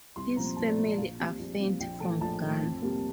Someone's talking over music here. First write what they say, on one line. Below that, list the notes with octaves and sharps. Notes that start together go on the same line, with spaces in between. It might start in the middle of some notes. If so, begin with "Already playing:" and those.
His family are Fante from Ghana.
C2 C6
A#2 F3 C4 A#5
C2 A5
D5
A#2 F3 C4 C5
D5
A#1 F5
A#2 G3 C4
A#1
A#2 G3 C4
A#1 G5
A2 F3 A3 A5
A#1 A5
A2 F3 A3
F2
C3 G3 A#3